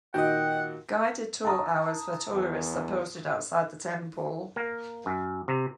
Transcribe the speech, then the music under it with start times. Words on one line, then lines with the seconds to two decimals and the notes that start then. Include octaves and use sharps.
Guided tour hours for tourists are posted outside the temple.
0.14 A#2 D#3 F#4 D#5 F#5 G5
1.45 A5 A#5 D#6
2.34 E2
4.56 A#3
5.06 F#2
5.48 C3